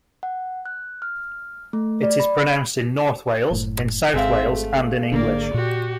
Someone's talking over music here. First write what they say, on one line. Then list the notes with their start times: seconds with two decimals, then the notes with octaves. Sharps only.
It is pronounced in North Wales, in South Wales, and in English.
0.23 F#5
0.66 F#6
1.02 F6
1.73 A3
2.03 D5
2.20 B5
3.51 F#1 A2
4.14 G#1 G#2 C4 G#4 A4 E5 F5
4.49 A3
5.12 G#1 D3 A#3 D4 D5
5.54 A#2 F#4 G4